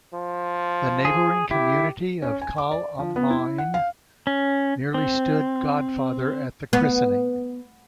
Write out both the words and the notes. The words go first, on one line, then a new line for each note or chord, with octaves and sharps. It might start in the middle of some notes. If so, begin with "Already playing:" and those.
The neighbouring community of Kahl am Main merely stood godfather at the christening.
F3
G#4
E4 G4
C#4
G#5
D6
D5
F3
B3
E4
F#5
F5
C#4
C4
B3